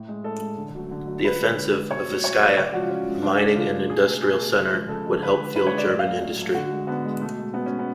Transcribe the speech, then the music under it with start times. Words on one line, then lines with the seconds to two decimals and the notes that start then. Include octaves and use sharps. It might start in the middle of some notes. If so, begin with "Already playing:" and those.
The offensive on Vizcaya, a mining and industrial centre, would help fuel German industry.
Already playing: A2
0.08 G#3
0.24 A2 A4
0.41 G#3
0.57 D3
0.74 F#3 A3
0.91 D3
1.07 F#3 A3
1.24 D3 B4
1.40 G#3
1.57 D3
1.74 G#3
1.90 B2 C#5
2.07 F#3 A3
2.24 B2 C#5
2.40 F#3 A3
2.57 C#3 C#5
2.64 D5
2.73 F3 F#4
2.76 G#3
2.82 F4
2.90 C#3 C#4
3.07 F3 G#3
3.23 C#3 D4
3.40 G#3
3.55 C#3 F4
3.72 G#3
3.90 B2 G#4
4.06 A3
4.22 B2 G#4
4.39 A3
4.56 C#3
4.73 F3 G#3
4.88 C#3 A4
5.05 F3 G#3
5.22 D3 B4
5.39 G#3
5.55 D3 B4
5.67 C#5
5.71 G#3
5.77 D5
5.88 A2 D5
5.99 F5
6.04 F#3 A3
6.22 A2
6.38 F#3 A3
6.54 D3 F#4
6.71 G#3
6.87 D3 B3
7.05 G#3
7.21 B2 A3
7.38 G#3
7.54 B2 B3
7.66 G#3 C#4
7.79 B3